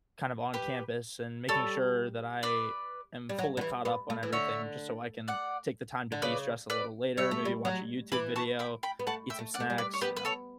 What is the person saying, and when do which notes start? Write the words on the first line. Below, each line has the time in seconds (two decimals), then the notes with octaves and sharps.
kind of on campus and making sure that I am fully caught up on everything just so I can take the time to de-stress a little later, maybe watch a YouTube video, eat some snacks, you know.
0.54 G4 B4
1.49 G3 A4 C#5
2.43 B4 D5
3.29 G3
3.39 F#3
3.57 D3
3.61 E3
3.85 B3
4.10 A3
4.23 E3
4.33 D3 C#5 E5
5.28 D5 F#5
6.12 D3
6.22 C#3 B4 D5
6.70 B4 D5
7.17 G3 C#5 E5
7.31 A3
7.45 G3
7.65 F#3
8.12 E3 B5 D6
8.36 A5 C#6
8.59 G5 B5
8.83 G5 B5
8.99 B3
9.07 A3 F#5 A5
9.30 E5 G5
9.39 A3
9.54 D5 F#5
9.60 A3
9.70 G3
9.78 B4 D5
9.93 C#5
10.01 B3 G4 B4
10.17 B4
10.25 A4 C#5